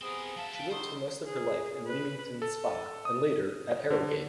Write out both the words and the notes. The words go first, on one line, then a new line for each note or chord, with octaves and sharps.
She lived for most of her life in Leamington Spa and later at Harrogate.
C3 B3 C4 G#4 A#4
F#3 E5 F5 A5
B4 G5
D3 D#3 C5
G#4
B4
A4
D#6
D3